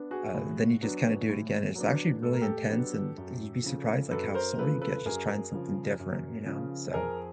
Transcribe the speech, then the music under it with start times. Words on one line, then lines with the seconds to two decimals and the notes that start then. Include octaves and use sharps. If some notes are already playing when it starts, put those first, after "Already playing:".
uh, then you just kinda do it again. It's actually really intense and you'd be surprised like how sore you get just trying something different, you know, so
Already playing: B3 D4
0.11 F#4 G#4
0.35 A2
0.82 F#3 B3 D4
1.29 A2
1.75 F#3 B3 D4
2.23 A2 A4
2.33 A#4
2.41 G4 A4
2.70 F#3 B3 D4
3.18 F#2
3.64 C#3 F3
4.11 F#2 A4 B4
4.35 A#4 C5
4.58 C#3 F3 A4 B4
4.81 A4 B4
5.05 F#2 G#4 A#4
5.53 C#3 F3
6.00 F#2
6.46 C#3 F3
6.94 F2 G#4 A#4